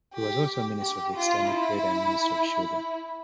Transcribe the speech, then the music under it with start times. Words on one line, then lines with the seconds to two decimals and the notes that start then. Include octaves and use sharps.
He was also Minister for External Trade and Minister for Sugar.
0.14 G4
0.82 G4
1.16 F4
1.50 E4